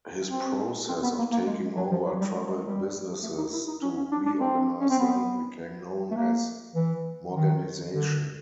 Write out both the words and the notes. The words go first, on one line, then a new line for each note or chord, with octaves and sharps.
His process of taking over troubled businesses to reorganize them became known as "Morganization".
C4
C4
B3
A#3
A#3
G#3
F#3
F3
F#3
G3
G#3
G#3
G3
A3
D#4
E4
D#4
C#4
C#4
D4
D4
C4
C#4
C4
B3
A3
A#3
E3
D#3
D3